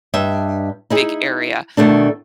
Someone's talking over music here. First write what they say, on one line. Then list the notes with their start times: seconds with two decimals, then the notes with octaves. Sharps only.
big area,
0.14 G2 D#5 E5
0.90 D#4 E4 G#4
1.77 B2 D#3 A3 D4